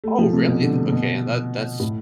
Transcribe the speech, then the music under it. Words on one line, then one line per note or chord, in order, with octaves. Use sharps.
Oh, really? The Okay, and that that's
A3
F3
C3
B2
D3
D3
B2
A2